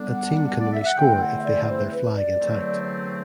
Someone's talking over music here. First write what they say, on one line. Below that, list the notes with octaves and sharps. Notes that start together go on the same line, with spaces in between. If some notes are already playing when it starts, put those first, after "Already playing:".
A team can only score if they have their flag intact.
Already playing: D3 G3 B3 D4
F#5
D5
E5
F#5
E2 D3 A3 C4 E4 G5
F#5
E5
D5
C5
B4
D5
E2 D3 F#3 A3 C4